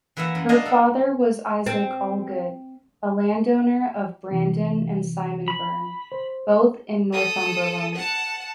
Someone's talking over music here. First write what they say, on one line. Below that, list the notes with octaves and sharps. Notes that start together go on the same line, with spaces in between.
Her father was Isaac Allgood, a landowner of Brandon and Simonburn, both in Northumberland.
E3 A#3 B4 E5 F#5
F#2
A#3 D4 D5 D#5 F5
A4 F#5
C4
C3 E3
B5
C5
A4 D#6
F#5 A5